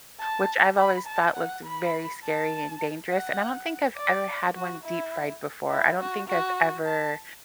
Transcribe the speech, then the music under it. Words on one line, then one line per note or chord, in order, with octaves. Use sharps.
which I've always thought looked very scary and dangerous, and I don't think I've ever had one deep-fried before, I don't think I've ever
A5
B5
A5
F#5
B5
A5
F#5
D5
F#4
E4
E4
F#4
F#4
A5